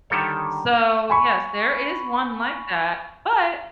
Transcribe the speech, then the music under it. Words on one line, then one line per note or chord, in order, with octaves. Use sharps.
So, yes, there is one like that, but
D3 D#3 G3 A4 C#5
G#5 B5 C#6